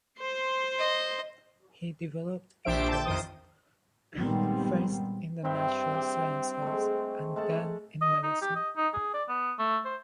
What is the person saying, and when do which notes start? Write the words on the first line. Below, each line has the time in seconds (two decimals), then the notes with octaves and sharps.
He developed interest, first, in the natural sciences, and then, in medicine.
0.19 C5 C6
0.79 D#5
2.65 A#1 D4 G4 C5 E5 D7
2.88 G5 A5
3.05 F2 D#3 C5 D#6
4.19 A#2 D#3 G3 G#3 B3 C4
5.44 G2 C4 E5 G5
5.93 G4 G5
6.62 G#3 A3
7.36 G#3 A3 A5
8.02 D#5
8.23 D#4
8.41 G4
8.55 D#5
8.76 D#4
8.94 G#4
9.14 D5
9.28 B3
9.59 A3
9.85 C5